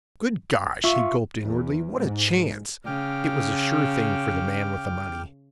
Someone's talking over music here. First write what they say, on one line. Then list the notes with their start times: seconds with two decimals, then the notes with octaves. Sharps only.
'Good gosh,' he gulped inwardly, 'what a chance!' It was a sure thing for the man with the money.
0.84 F4 E5 C#6
1.44 E2
1.96 G#2
2.86 C#3 G5 D6 F6